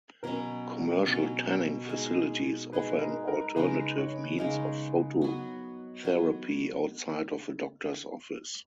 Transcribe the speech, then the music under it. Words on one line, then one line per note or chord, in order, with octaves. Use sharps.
Commercial tanning facilities offer an alternative means of phototherapy outside of a doctor's office.
B2 F#3 C#4 A#4
B2 F#3 C#4
G#3 D#4 G#4
G#3 D#4 G#4 B4
A#4
A#4
C#3 G#3 D#4 A#4 B4
C#5
C#3 G#3 D#4 A#4 D#5
F#3 B3 F#4
F#3 B3 F#4